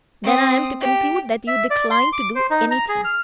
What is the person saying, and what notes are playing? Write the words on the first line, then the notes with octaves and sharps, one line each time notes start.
"Then I am to conclude that you decline to do anything?"
C4 D#6
G4
E5
D5
C6
D6
C5
D#4
A#5
G#4
F6